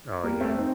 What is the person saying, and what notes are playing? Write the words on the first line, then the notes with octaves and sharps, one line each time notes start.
Oh yeah.
G3 A#3
A3 C4
C4 D#4